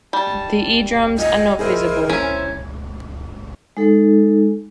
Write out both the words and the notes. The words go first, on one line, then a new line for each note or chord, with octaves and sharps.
The eardrums are not visible.
G3 A5
F4 D#5 G#5
E4 G#4 A#4 C5 D#5
C#4 E4 C5 E5 G#5 A#5
G#3 D#4 A4